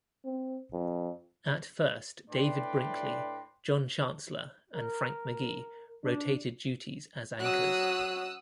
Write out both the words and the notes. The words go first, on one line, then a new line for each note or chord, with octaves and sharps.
At first, David Brinkley, John Chancellor, and Frank McGee rotated duties as anchors.
C4
F2
A2 D4 B4 D5 G5 C6
A#4
D4
F#3 D#6 E6 F#6